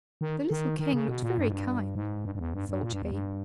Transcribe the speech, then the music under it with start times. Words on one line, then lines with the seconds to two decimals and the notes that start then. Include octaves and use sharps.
"The little king looked very kind," thought he.
0.21 D#3
0.51 D#3
0.79 D#3
0.94 C#3
1.08 B2
1.22 A#2
1.38 G2
1.48 G#2
1.52 G2
1.95 G#2
2.25 G2
2.35 G2
2.39 E2
2.54 G2
2.69 G2
2.83 A#2
2.93 G2
3.02 E2
3.12 G2